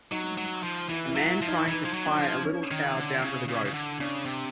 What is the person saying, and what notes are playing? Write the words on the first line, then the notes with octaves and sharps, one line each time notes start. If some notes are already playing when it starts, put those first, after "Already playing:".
A man trying to tie a little cow down with a rope.
F#3 D#4
F#3
F3
E3 E4
E4
F#3
E4
F3
D#4
E3 D#4
F3
F#3
D4
F3
C#4
D#3
D3
C#3
C#3
C#3
D3
C#3 D4
C3